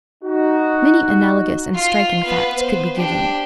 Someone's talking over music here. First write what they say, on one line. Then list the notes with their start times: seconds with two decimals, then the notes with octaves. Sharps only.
Many analogous and striking facts could be given.
0.24 D#4 F#4
1.75 F4 C6
2.24 B3 B4
2.58 C5
2.95 D4 G4